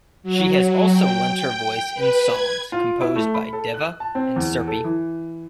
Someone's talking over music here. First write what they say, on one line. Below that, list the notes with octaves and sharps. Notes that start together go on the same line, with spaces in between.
She has also lent her voice in songs composed by Deva and Sirpy.
F#3
G5
G5
B4
G#6
F4
E4
A3
B5
A4
F#6
A5
C4
E2
A4
E3